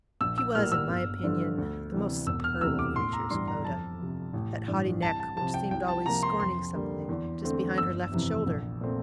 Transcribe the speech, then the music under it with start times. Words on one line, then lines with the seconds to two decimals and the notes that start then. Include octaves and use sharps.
She was, in my opinion, the most superb of creatures, Clodagh--that haughty neck which seemed always scorning something just behind her left shoulder.
0.21 A#1 E6
0.38 E6
0.55 A2 G3 A#3 F6
0.72 E6
0.89 G1
1.23 G2 D3 F3
1.58 D2
1.93 C3 E3 G3
2.27 E1 E6
2.44 F6
2.61 D2 C3 E3 G3 E6
2.79 D6
2.96 A1 C6
3.13 A#5
3.30 G2 E3 G3 C6
3.48 A#5
3.65 F2 A5
3.99 C3 F3
4.33 A1
4.68 G2 E3
5.02 C2 A5
5.19 A5
5.36 C3 F3 A5
5.54 G5
5.71 C2 G5
5.88 A5
6.06 C3 F3 A#3 A#5
6.23 C6
6.40 F2 C6
6.74 D3 G3 A#3
7.09 E2
7.44 D3 A3 C4
7.77 G1 E6
8.12 F2 C3 E3
8.46 A#1
8.81 A#2 A3 C4